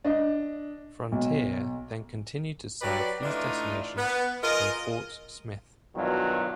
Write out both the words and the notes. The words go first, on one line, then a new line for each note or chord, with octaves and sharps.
Frontier then continued to serve these destinations from Fort Smith.
D4 D#5
B1
F#3 G4 B4 D5
E3 A3 D4 D#4 F4
B3
F4 G#4 A#4 D#5
G2 B2 D#3 E3 F#3 F4